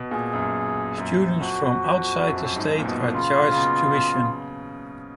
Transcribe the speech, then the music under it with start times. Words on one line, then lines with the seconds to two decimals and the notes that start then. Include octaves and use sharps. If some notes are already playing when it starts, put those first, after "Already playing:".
Students from outside the state are charged tuition.
Already playing: B2
0.11 A#2 G#4
0.33 F#2
0.98 F#2
1.41 F2 F#4
1.84 F2
2.28 F#2
2.36 F2
2.44 F#2
2.56 G#2
2.79 A#2
2.85 B2
3.14 C#3 F4
3.51 C#3
3.58 B2